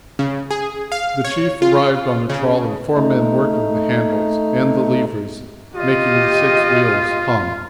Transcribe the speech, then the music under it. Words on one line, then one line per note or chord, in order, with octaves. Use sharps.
The Chief arrived on a trolley, four men working the handles and the levers making the six wheels hum.
C#3
G#4
F5
C#5
F4
C#3
A3 D#4
F4 G4 D#5